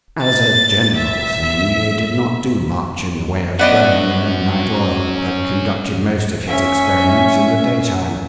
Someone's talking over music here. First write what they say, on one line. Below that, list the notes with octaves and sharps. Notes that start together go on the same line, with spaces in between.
As a general thing, he did not do much in the way of burning the midnight oil, but conducted most of his experiments in the daytime.
A6
E5
B3 C#4 F#4 D5 D#5
C#4 E5